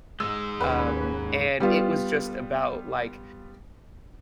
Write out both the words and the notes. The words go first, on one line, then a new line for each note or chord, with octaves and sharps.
um, and it was just about like,
G#2 G#3 E6
D#2 C#4 B4
G3 B3 F4